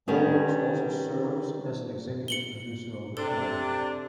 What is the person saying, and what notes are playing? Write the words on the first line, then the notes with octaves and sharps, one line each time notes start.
Olmos also serves as an executive producer of the film.
D#3 G3 B3 C#4
C#7 F#7 G7
C3 D4 A4